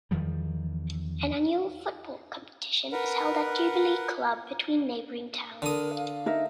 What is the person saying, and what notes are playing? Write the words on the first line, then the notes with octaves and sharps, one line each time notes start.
An annual football competition is held at Jubilee Club between neighbouring towns.
E2 D#3 F3 G3
A#4 B4 F#5
D3 A#4 D#6
F5
D#4 A#4 E5